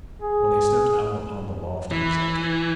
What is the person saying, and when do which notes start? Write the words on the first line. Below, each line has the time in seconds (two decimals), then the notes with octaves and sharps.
When they stepped out upon the loft it was empty.
0.22 G#4
1.91 E3